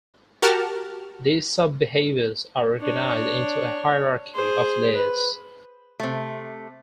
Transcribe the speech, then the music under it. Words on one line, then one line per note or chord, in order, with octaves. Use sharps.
These sub-behaviors are organized into a hierarchy of layers.
F#4 G4 A#4 F#5 A5 F6
D4 C#5
G#4 C5
B4
C3 A3